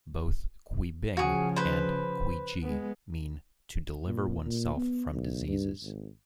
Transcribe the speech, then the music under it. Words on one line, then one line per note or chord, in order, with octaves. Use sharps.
Both "Qubing" and "Qiji" mean to deliver oneself from diseases.
C#3 F3 F#4 G#4
B4 C5
G#3 B3
A#2
A#2
B3
B1
G2
G#1